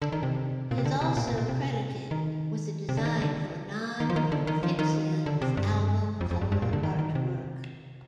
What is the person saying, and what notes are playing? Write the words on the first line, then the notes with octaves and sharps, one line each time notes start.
He is also credited with the design for Non Phixion's album cover artwork.
D3
D#3
C3
A#2
C3
D3
C3
A#2
A#2
A#2
C3
D#3
C3
D3
D#3
D3
D#3
F3
D#3
D3
D#3
F3
D#3
D3
C3
G2
F2
F2
G2
G2
A#2
D3
D#3
D#3
C3